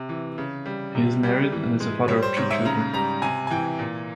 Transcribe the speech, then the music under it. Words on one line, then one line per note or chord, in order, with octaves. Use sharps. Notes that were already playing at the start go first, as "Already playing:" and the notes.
He is married and is the father of two children.
Already playing: C3
E3
C#3
G3
C3
G3
E3
G#3
G3 C#5
C5
G#2 C#5
E5
C#3 A#5
G3 A#5
C3 G#5
G#5
E3 G5
A#2